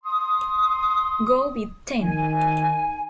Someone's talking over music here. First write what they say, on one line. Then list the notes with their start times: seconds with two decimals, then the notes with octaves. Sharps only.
Go with ten!
0.04 C6 D#6
2.01 D#3 G#5